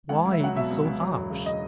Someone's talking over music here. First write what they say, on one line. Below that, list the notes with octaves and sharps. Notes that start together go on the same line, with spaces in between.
Why be so harsh?
C#2 F#5
C#2
E5
F#3 F#5
B2 E5
C#2
C#2
F#3
E1
C#3
D#5